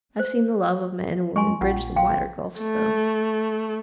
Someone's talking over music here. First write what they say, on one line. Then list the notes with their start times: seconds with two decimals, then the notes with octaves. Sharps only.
I've seen the love of man and woman bridge some wider gulfs though.
0.19 C5
1.36 G#3 G#5 C6 C#6
1.61 A#1 C#4 F4 F#5
1.96 F5 G5 C6
2.60 A3